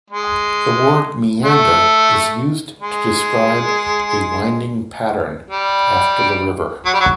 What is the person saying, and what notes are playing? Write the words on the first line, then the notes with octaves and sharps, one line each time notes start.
The word "meander" is used to describe a winding pattern, after the river.
G#3
A3
G#3
G3
F#3
G3
F#3